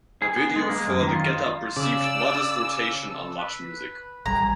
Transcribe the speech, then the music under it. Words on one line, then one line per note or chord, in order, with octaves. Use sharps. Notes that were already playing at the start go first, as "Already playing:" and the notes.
A video for "The Get Up" received modest rotation on Much Music.
G#4
B3
G#3
A#3
F#2
D#3
F4
C#3 D5 E6
A4
B4
A1 G3 G#5 A#5